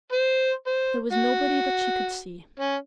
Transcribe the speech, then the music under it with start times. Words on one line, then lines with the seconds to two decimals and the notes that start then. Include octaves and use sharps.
There was nobody that she could see.
0.12 C5
0.66 C5
1.13 F#4
2.60 C#4